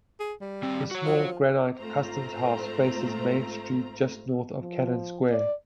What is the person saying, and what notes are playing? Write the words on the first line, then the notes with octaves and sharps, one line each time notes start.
The small granite Customs House faces Main Street just north of Cannon Square.
G#4
G3
D#3 C4
F#4 C#5
F3
G#2 A3 C4 F4 C5 A#5
F3
D5